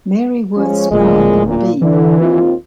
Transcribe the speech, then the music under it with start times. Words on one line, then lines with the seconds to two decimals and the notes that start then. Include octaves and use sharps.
Mary Worth Sprague - B.
0.57 F3 G#3 C#4
0.91 D1 A#2 F3 G#3
1.46 A#2
1.82 D3 E3
2.20 D#2 C4 F4